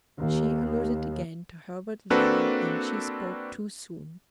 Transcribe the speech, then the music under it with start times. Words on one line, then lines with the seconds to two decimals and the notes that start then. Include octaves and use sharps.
She alluded again to Herbert Linley, and she spoke too soon.
0.19 D#2
2.10 A#3 C4 D4 F#4 A4 B4